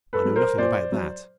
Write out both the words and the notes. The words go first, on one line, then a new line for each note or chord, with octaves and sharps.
"I know nothing about that."
A4 B4
F#3
A#4 C5
A#2 C5 D5
F#3